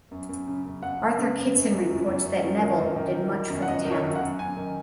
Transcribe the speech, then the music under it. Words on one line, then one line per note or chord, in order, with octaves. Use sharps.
Arthur Kidson reports that Neville "did much for the town".
F#2
F#2
C#3
F#2
F#2 F#5
C#3
C#3
F#2
F#2
C#3
F#2
F#2
F#2
F#2
D#3
F#2
D#3
D#3
D#3
F#2
F#5
F#2 D#5
D#3
C#5
F#2
F#5
F#2
F#2 G#5
D#3